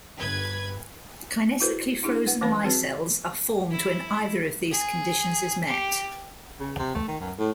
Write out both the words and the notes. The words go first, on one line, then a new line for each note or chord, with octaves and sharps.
Kinetically frozen micelles are formed when either of these conditions is met.
G1 B4 G#6
E4 F#4 A4 B4 C5
D4 E4 G#4
B4 F#5
E3 G3 B3 C#4 B4 B5
C4 F#4 G#4 B4 C#5
E4
G#4
G4
C#3
C3
A3
D#3
F#2
A2